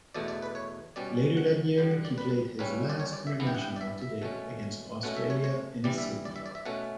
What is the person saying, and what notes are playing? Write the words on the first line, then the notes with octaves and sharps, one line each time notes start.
Later that year, he played his last international to date against Australia, in Sydney.
E2 B2 A3 D5
D5
B4
C#5
B2 G3 C#4 D5
F#5
F#2 D3 G3 G5
F#5
D5
B4
C#2 C#3 G3 C#4 B4
D5
C#5
D5
E5
G2 E3 B3
G5
F#5
G5
D5
E5
E5
B2 A3 C#4
B2 A3 C#4 F#5
E5
C#5
C#5
G2 E3 G3 D5
E5
D5
E5
D5
E5
B2 A3 C#4 F#5